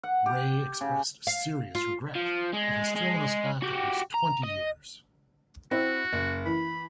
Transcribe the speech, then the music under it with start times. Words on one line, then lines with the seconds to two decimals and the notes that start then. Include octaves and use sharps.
Wray expressed serious regret: It has thrown us back at least twenty years.
0.03 F#5
0.26 G4
0.81 C#3
1.27 F5
1.75 F4
2.16 F3
2.53 G#3
2.95 G#3
3.62 F#4 G4
4.14 A#5
4.43 D#5
5.71 C4 E4 F#4
6.13 F#1
6.46 E3 B5